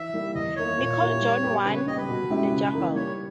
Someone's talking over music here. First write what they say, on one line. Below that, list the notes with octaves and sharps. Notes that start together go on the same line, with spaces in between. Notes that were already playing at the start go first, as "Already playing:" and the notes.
Nicol joined One the Juggler.
Already playing: E3 E5
G3 A#3 E4
E2 D#5
D#3 A#3 E4 C#5
A#2
A#3 E4 G4 A#4
G3
B3 G4 A#4
C#3 B4
C#5
G3 B3 G4 D#5
B4
B2
G#3 C#4 E4 G4
C#3
E3 A#3 D#4
G3 C#5